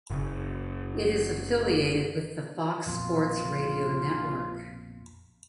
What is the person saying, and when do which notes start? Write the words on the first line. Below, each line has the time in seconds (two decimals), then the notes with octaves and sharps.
It is affiliated with the Fox Sports Radio network.
0.10 F#1 C#3
2.86 A#1 F2 B2 F4